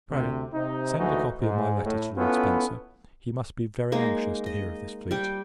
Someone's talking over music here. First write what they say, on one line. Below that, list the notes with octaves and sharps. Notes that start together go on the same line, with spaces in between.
Pray, send a copy of my letter to Lord Spencer; he must be very anxious to hear of this fleet.
D2 C3
C3 D#4
D2 E3 G#3 D#4 F#4
G#2
A2
B3 C#4 E4 F4 A4
G#3 A#3 D#4
D#5
G3 G5